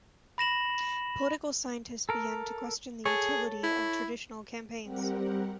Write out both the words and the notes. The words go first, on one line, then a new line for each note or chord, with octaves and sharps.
Political scientists began to question the utility of traditional campaigns.
B5 A#6 E7 F#7
A4 A#4
G#4 A4 C#5
E4
G3 C4 G4 A#4 F#5